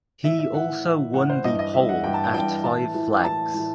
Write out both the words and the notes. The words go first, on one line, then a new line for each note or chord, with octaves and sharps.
He also won the pole at Five Flags.
A2 E3 E5
E5
A2 E3 F#5
A2 E3
A2 E3 F#5
C5
G2 E3 D#5
D#5
G2 E3 E5
F#5
G2 E3 G5
A5
G5
G2 E3 G5
A2 E3 A5
A2 E3
A2 E3 A5
A2 E3